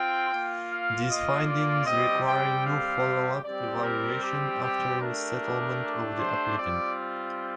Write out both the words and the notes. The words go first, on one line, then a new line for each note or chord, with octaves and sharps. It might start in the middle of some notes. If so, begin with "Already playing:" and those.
These findings require no follow-up evaluation after resettlement of the applicant.
Already playing: C4 F4 G5
A#3 F4
F5
D#5
D5
G3 C4 G4 D#5
G5
F5
G3 C4 G4 D5
A#4
G4
G4
A3 D4 G4 A#4
C5
G3 C4 F4 D5